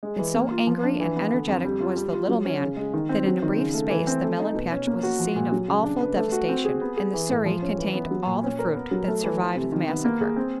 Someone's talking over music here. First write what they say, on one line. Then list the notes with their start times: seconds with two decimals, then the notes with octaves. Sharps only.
And so angry and energetic was the little man that in a brief space the melon patch was a scene of awful devastation, and the surrey contained all the fruit that survived the massacre.
0.03 G#3
0.19 E3
0.34 A#3
0.51 F4
0.67 F3
0.83 D4
1.00 E3
1.16 B3
1.32 D3
1.48 F2
1.64 G3
1.80 F4
1.96 G3
2.13 F4
2.28 F#3
2.45 C#4
2.61 C#3
2.77 G#3
2.94 D#3
3.09 C4
3.26 F#3
3.42 D#3
3.58 C#3
3.74 A3
3.90 E3
4.07 C4
4.23 A3
4.39 D#4
4.54 B2
4.72 C#4
4.87 A#3
5.03 F#4
5.19 F3
5.36 A#2
5.52 F#3
5.68 C#3
5.84 D4
6.01 B4
6.17 A3
6.32 F#4
6.49 C4
6.65 G#4
6.81 B3
6.97 G#4
7.13 E3
7.29 A2
7.46 F3
7.62 C#4
7.78 E3
7.94 B3
8.11 F#3
8.26 A#2
8.43 C#4
8.59 A#4
8.75 B3
8.91 F#3
9.08 A3
9.23 E3
9.39 E3
9.56 C3
9.72 D#3
9.88 B3
10.04 A#3
10.21 G#4
10.36 C4